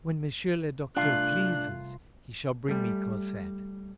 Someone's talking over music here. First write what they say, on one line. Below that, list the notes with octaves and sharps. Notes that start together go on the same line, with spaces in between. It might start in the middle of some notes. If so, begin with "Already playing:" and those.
When Monsieur le Docteur pleases, he shall bring me Cosette.
C2 A3 D4 F4 F#6
G3 A3